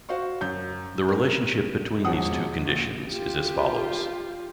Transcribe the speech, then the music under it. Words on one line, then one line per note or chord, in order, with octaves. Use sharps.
The relationship between these two conditions is as follows.
F#4 C5 F5 C#6
F#2 G6
A#4
E1 F3 G#3 F#5 D#6
A#1 A6
F4 G4